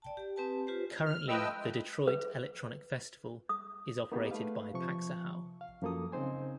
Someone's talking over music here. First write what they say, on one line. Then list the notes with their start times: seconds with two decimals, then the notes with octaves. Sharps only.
Currently, the Detroit Electronic Festival is operated by Paxahau.
0.02 D5 G5 A5
0.17 G4
0.36 C4 G4 B4 G#5 A5
0.67 F4 G4 B4 C5
1.06 F6
1.28 F3 A3 B4 D#5 G5 E6
1.56 G#3
2.08 B4
3.49 D#6
4.12 A#3 B3 D#4 G4 G#4
4.31 A3 B4 F5
4.74 C3 F3 C#6
5.61 F5
5.82 F#2 F3 A#3 A4 D#6
6.12 C#3 C4 D#4 C5 G#5